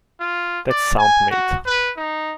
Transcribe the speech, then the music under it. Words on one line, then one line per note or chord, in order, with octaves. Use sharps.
That's sound mate.
F4
D5
G#5
F#4
B4
D#4